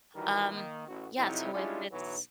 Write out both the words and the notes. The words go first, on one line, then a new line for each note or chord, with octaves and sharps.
Um, yeah, so if it's
D#3 E3 G3 F#4 A#4
D#3 A#3
A1 F#4
F2 C3 F#3 D#4 E4
G3 G#3 C#4 D4 E4 F4
B1 E3 F#3